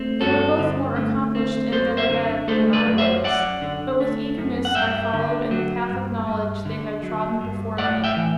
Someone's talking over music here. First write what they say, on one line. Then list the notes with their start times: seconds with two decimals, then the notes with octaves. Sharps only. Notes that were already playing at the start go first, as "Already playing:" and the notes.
They were both more accomplished and better read than I was; but with eagerness I followed in the path of knowledge they had trodden before me.
Already playing: A3 C4
0.21 G2 F#4 A4
0.59 D3
0.96 A3
1.35 C4
1.72 F#2 A4 C5
1.97 C5 E5
2.10 D3
2.48 A3 A4 C5
2.73 B4 D5
2.86 F#2
2.98 C5 E5
3.24 F#2 D5 F#5
3.61 D3
4.00 A3
4.38 F#2
4.65 F#5
4.75 G2 E5 G5
5.13 D3
5.51 F#3
5.89 G2
6.27 G2
6.65 D3
7.03 F#3
7.41 G2
7.78 A2 D5 F#5
8.04 E5 G5
8.17 E3